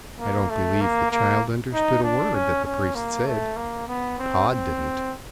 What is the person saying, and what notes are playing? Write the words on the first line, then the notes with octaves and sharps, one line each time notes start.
I don't believe the child understood a word that the priest said; Pod didn't.
A#3
A3
A#3
A#3
D#4
D4
C#4
C#4
A#3
A3
A#3
B3
C4
C4